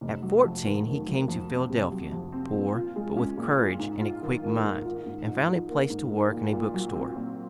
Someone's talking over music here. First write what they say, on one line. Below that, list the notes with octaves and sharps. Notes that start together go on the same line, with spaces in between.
At fourteen he came to Philadelphia, poor, but with courage and a quick mind, and found a place to work in a bookstore.
F1
F#3
F2
D#3
F1
F#3
F2
C4
C3
F#3
F2
C4
A#2
F4
G#3
C#4
A#2
F4
G#2
F4
D#3
A#3
G#2
F4
G#2
G#2
F3
A#3
G#2
G#2
A#2
A#2
F#3
C4
A#2